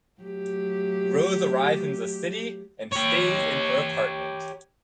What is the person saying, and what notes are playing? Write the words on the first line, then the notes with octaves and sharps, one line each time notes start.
Rose arrives in the city and stays in her apartment.
F#3 A3 G4
G4 C#5